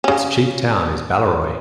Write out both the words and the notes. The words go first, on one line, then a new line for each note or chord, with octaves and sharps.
Its chief town is Balleroy.
C#3 C#4